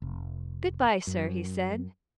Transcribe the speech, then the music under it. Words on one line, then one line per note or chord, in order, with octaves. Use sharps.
'Good-bye, sir,' he said.
F1
F#2